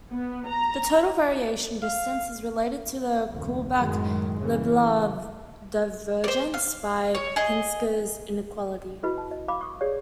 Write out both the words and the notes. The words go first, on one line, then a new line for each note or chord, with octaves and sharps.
The total variation distance is related to the Kullback-Leibler divergence by Pinsker's inequality.
B3
A#5
F5
F1 D2
F#2 A2 D#3 F#3 G#3
C#3 E3
C5 D5
F5
C#5
G#4 D#5
E4 F#4 G4 B4 D#5 B5
A5
D#5
F5 B5 D6
C#6 D#6
G4 G#4 C#5 D5 F5